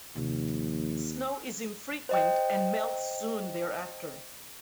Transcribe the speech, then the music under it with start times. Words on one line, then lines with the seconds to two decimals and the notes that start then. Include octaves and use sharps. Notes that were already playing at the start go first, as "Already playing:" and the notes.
Snow is infrequent and melts soon thereafter.
0.16 D#2 C3 F3
2.09 C5 D#5 G5